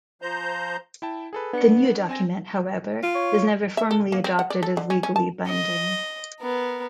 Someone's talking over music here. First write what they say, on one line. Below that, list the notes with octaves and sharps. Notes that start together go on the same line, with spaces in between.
The new document, however, was never formally adopted as legally binding.
F3 C5 A#5 G6
E4 G5 A5
G#4 A4 B4
B3 D4 C#7
C4 G#5 A#6
F4
C#5
E5
A4
A#3
C4
F#5
D5
A4
D3
C#4
C#4
A5
D#5
B3 A#4